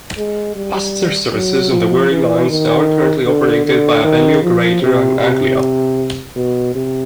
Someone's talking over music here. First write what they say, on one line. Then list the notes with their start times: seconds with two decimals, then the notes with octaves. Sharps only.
Passenger services on the Wherry Lines are currently operated by Abellio Greater Anglia.
0.17 G#3
0.56 G3
1.33 F#3
1.71 F3
2.10 E3
2.49 D#3
3.26 D3
3.65 D3
4.04 D#3
4.43 F3
4.82 C3
5.20 C3
6.36 B2
6.75 C3